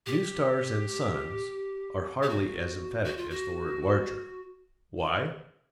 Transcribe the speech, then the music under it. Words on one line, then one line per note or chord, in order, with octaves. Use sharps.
"New stars and suns" are hardly as emphatic as the word "larger." Why?
G4
G4
F#4
F#4
F4
F#4